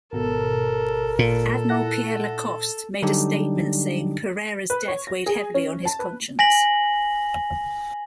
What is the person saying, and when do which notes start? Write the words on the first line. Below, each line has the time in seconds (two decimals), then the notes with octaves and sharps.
Admiral Pierre Lacoste made a statement saying Pereira's death weighed heavily on his conscience.
0.13 G#1 B2 A4 A#4
1.19 A#2 A4
1.69 E4 F#5 A#6
3.02 D3 F#3 G3 D4 D#4 G4
4.70 B4
4.88 C#5
5.07 A#6
5.26 G#4
5.54 C#4
5.85 A5
5.99 B4
6.39 G#5 A#6 B6 F#7